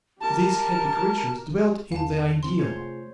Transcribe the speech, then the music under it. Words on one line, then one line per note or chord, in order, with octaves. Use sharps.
These happy creatures dwelt in the ideal.
G4 A#4 A5
E2 D#3 F5 A5
C3 E3 C4 C6
C3 A3 F4 G#4 C5 C#5